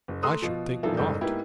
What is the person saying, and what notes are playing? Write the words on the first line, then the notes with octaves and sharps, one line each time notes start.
"I should think not."
F#1
A3 A#5 C6 D#6 E6 F#6
B2 F3
E2 G2 D#3 F3 A4 E5
F#1 G#2 G3 A4 G6
G#2 A#3 B3 E4 G4